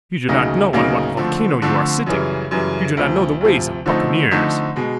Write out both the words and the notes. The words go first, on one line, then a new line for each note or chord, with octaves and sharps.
You do not know on what a volcano you are sitting. You do not know the ways of buccaneers.
D2 C#3 F#3 A#3 D#4
D2 C#3 F#3 A#3 D#4
D3 F3 A3 C4
D3 F3 A3 C4
F#2 C#3 E3 G3
F#2 C#3 E3 G3
D2 C3 F3
D2 C3 F3
D3 F3 A3 C4 D#4
D3 F3 A3 C4 D#4
B2 G#3